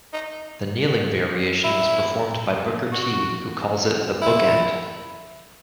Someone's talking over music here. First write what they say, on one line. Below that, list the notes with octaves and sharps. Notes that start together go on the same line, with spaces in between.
The kneeling variation was performed by Booker T who calls it the "Book End".
D#4
E4
F#4
E4